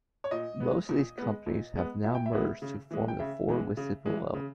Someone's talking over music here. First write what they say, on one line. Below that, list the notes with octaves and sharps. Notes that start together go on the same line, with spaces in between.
Most of these companies have now merged to form the four listed below.
C#5
A#2 D#5
G#3 B3
A#2
G#3 B3
A#2
G#3 B3
A#2 E5
G5
E5
G#3 B3
C#3
E3 G#3
G5
C#3 E5
E3 G#3
C#3
E3 G#3
C#3